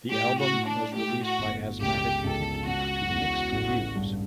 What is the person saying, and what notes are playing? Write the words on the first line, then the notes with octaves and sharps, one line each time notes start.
The album was released by Asthmatic Kitty to mixed reviews.
A2 G4
F#4
A2
D4
A3 G4
F#4
G1
C#2 G4
C#2 A4
C#3 F#4
E2
A1
G2